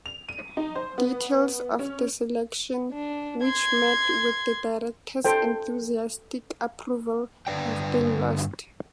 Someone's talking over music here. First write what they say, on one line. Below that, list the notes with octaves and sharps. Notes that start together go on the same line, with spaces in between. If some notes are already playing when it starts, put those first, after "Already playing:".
Details of the selection, which met with the director's enthusiastic approval, have been lost.
F7
D#7
D#4
C5
B3
C#4
D4
C6 G#6
A4 C5 G5
G2 D3 B4 D5 G5